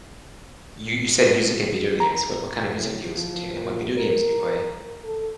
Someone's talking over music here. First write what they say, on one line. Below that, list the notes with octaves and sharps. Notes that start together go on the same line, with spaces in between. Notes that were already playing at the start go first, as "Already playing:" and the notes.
You you said music and video games. What what kinda music do you listen to, and what video games do you play?
A#5
A2
F3
A#2
A#4
A4